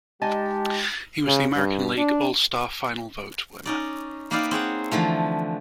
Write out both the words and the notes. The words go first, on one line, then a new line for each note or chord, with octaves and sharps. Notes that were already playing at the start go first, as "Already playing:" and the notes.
He was the American League All-Star Final Vote winner.
G#3 D#4 G4 D#5 G#5 A5
C#3
G2
D4
C#4 D#4 D5
A#3 D#4 G4 B4 D5 F5
C4 G#4 C#5 F#5
D3 E3 F3 A3